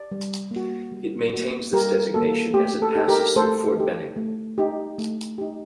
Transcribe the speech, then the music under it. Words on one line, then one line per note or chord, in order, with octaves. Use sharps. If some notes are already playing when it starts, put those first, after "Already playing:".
It maintains this designation as it passes through Fort Benning.
Already playing: D5
G3
A#3
F#4
G3
A#3 F#4
G3 G4 A#4
A#3 F#4 A4
A3 G4
A4
D#4 G4 A4
G4 A#4
A3 A4 C5
D#4 G4
A3
D#4 G4
A3
D#4 G4